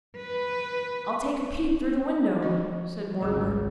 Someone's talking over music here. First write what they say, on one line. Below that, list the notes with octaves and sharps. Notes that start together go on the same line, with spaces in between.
'I'll take a peep through the window,' said Mortimer.
B4
F3 F#4 D#5
G#1 C#2 G#3 G#4